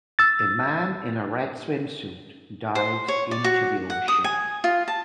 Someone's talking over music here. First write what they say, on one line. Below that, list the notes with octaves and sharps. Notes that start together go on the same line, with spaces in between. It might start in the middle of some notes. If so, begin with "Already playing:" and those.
A man in a red swimsuit dives into the ocean.
E6 A6
C5
C#5
D5
F#4
F#5
D#6
G#5
F4
A5